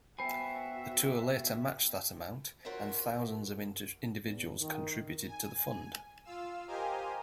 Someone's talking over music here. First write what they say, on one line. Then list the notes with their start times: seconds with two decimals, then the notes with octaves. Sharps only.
The Tour later matched that amount, and thousands of individuals contributed to the fund.
0.19 B3 F#4 C5 E5 G5 G#5 B5
2.65 F4 F#4 A#4 C5 C#5 E5
4.22 E2
4.60 D#3
5.27 G#5
6.24 F4 F5 E6
6.67 G4 A#4 C5 D#5 F5 G#5